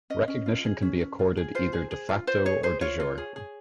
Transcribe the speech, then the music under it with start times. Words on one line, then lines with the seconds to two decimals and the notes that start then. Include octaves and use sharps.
Recognition can be accorded either "de facto" or "de jure".
0.10 C#4 D#5
0.28 C#4
0.46 F4
0.65 G#4
0.82 C#4
1.01 C#4
1.19 F4
1.37 G#4
1.55 F4 C5
1.73 G#4
1.91 G#4
2.09 F4
2.27 F4 C5
2.45 G#4 C#5
2.63 G#4 C5
2.81 F4 C#5
3.00 F4
3.18 G#4
3.36 G#4